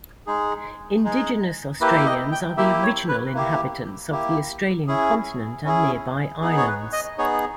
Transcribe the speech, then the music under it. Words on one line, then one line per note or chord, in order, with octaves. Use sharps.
Indigenous Australians are the original inhabitants of the Australian continent and nearby islands.
G#3 D#4 G#4
G#3 D#4 G#4
A#3 E4 G4 B4
D#5
G5
A#3 E4 G4 E5
C#5
B4
A#3 E4 G4
A#3 E4 G4
C#4 E4 G#4
C#4 E4 G#4
B3 D#4 G#4
C#5
B4
D#5
B3 D#4 G#4 C#5